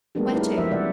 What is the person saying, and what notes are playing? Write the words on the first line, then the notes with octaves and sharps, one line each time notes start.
"Where to?"
F#3 G#3 A#3 B3 D4 G4
C#4 D#4 E4 A#4 B4
F3 G4 C5 E5
C3 G3 D5 E5 F#5